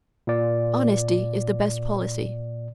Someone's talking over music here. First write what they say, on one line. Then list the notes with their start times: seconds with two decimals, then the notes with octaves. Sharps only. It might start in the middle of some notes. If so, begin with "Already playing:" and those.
Honesty is the Best Policy.
0.27 A#2 D5